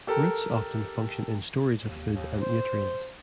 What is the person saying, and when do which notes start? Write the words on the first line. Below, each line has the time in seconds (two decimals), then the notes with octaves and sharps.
Roots often function in storage of food and nutrients.
0.07 G4 A4 A#4
1.81 D#2
2.14 D#2
2.41 C5